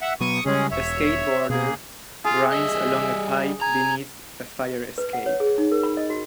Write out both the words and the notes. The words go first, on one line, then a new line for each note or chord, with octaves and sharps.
A skateboarder grinds along a pipe beneath a fire escape.
E5 F#5
B2 F#3 B3 C#6 D#6
C#3 G3 G#3 C#4 G#4
E1 C#5 E5
B2 A#3 G#4
F4 G#4
G3 D#5 E5
G#5 A#5
B4
F#5
C#5
G#4
D#4
A#4
B5
D#5
F#4